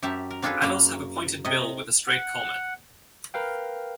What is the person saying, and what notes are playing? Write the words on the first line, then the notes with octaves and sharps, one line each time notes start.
Adults have a pointed bill with a straight culmen.
F#2 G4 E5 A5 A#5
A#4
C4 D4 F4 G#4 A4 B4
F#2 A#3 F5 A#5 B5
C3 D#5
F#5
A#4 B4 F5 G5